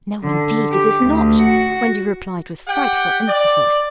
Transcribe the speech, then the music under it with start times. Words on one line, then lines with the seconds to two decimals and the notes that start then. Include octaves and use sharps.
'No, indeed, it is not,' Wendy replied with frightful emphasis.
0.23 D3
0.71 G4
1.07 D2
1.43 F#4
2.68 G4 F#5 G5
3.29 D5